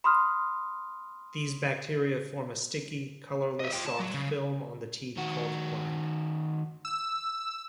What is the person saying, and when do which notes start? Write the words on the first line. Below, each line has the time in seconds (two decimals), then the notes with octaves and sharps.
These bacteria form a sticky, colorless soft film on the teeth called plaque.
0.04 B5 C6 D#6 F6
3.60 D#5 E5
3.73 F4 G5
3.86 A5
4.00 F#3
4.14 C#3
5.17 D#3 F#4
6.85 E6